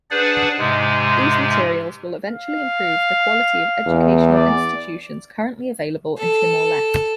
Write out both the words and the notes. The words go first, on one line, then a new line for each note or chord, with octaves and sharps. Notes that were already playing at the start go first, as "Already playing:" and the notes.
These materials will eventually improve the quality of educational institutions currently available in Timor-Leste.
D4 G#4 B4 C5 D5 F#5
G#2 C3 G#3
F5
E2
D5
A4